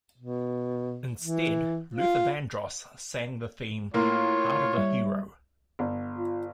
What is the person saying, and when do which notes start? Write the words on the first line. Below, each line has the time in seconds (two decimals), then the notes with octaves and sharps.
Instead, Luther Vandross sang the theme, "Heart of a Hero".
0.18 B2
1.20 E3
1.94 F4
3.94 A2 A#3 F4 C#5
4.77 G3 E5
5.79 G1
6.18 F4